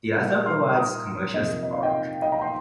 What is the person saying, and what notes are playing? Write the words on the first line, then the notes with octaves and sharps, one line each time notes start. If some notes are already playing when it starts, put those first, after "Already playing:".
The author provides commercial support.
A#2 G3 A#3
C6 F6
A#5 D#6
F2 C3 F3 A#3 D#5
D#5
F5
D#5 G5
D#5 G5
F5 A#5
G5 C6